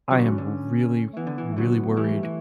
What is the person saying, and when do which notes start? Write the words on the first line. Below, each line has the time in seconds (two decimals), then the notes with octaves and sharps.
I am really, really worried
0.11 D3 F#3
0.18 C#4
0.38 D3
1.13 A3
1.17 E3 B3
1.27 D3
1.38 E3
1.52 A3
1.57 D3 F#3 B3
1.89 B3
1.97 E3 G3 A3
2.23 E3